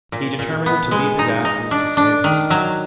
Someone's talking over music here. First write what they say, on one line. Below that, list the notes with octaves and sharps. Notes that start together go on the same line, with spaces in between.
He determined to leave his asses to save himself.
A#2
A#2
B3
G#3
D#4
D#4
D4
D4
D#3
F#3